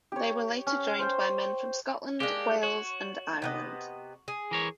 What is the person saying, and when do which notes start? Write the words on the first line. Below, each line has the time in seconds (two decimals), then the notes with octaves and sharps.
They were later joined by men from Scotland, Wales and Ireland.
0.12 G4 C#5
0.67 C#4
0.99 C5 G5
2.20 G#3 A#3 D4 G4
2.63 F#4 C#5
3.42 C3 B3 D#5
4.28 G#4
4.51 E3 A#4 C#5